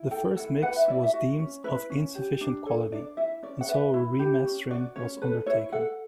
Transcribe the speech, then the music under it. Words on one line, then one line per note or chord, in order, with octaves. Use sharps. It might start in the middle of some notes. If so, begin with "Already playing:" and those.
The first mix was deemed of insufficient quality, so a remastering was undertaken.
Already playing: E4
A4 G5
E4 F#5
B4 F#5
E5
E4 D5
E5
F#4
C#4
E4 B4
C#4
G4
D4
A4 C#5
D4 D5
E4 E5
C#4 D5
F#5
B4 E5
E4
G4
C#4
F#4 D5
C#4 C#5
A4 B4
E4 C#5
A4 F#5